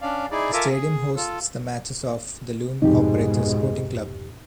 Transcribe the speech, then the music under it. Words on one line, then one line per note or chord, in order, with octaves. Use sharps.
The stadium hosts the matches of the Loom operator Sporting Club.
C#4 D4 D5 F5
D#4 E4 G#4 D5
F4 A4 A#4 E5 G#5 D6
G#4
F4 A4
C2 F2 G#2 B2 G#3 D#4 G4